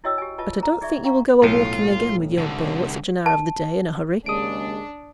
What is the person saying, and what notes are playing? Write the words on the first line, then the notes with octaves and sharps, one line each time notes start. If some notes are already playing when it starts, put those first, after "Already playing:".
But I don't think you will go a-walking again with your beau, at such an hour of the day, in a hurry.
E4 F#4 C#5 D#5 G5 E6
G4 G#5
F4 B4 D#5 A5
G#4 C5 A#5
D#4 G#4 D5 E5 C#6
F5 G5 A#5 C#6
B1 A2 F4
C2 D3
A5
D#2 C#3 G#3 D4 D#6 D7